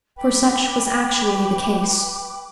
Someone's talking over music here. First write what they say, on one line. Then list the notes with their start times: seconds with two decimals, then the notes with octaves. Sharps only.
For such was actually the case.
0.17 B4 G5 B5 D6